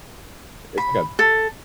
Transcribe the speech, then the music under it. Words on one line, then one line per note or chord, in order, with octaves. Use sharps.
it's, like, a
B5
A4